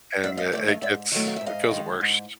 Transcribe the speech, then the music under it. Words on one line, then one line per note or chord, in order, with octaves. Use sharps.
and it it it's it feels worst.
G#2 D5 E5
D#5 F5
D#3 F#3 A3 D5 E5
D#5 F5
G#2 D5 E5
D#3 F#3 A3
F5
G#2 E5
D#5 F5
D#3 G#3
G#2